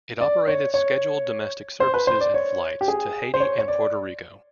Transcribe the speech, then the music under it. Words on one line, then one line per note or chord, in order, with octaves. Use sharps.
It operated scheduled domestic services and flights to Haiti and Puerto Rico.
D5
C#5
C#5
C5
B4
C5
D5
C#5
G4
G#4
C5
C#5
C#5
D5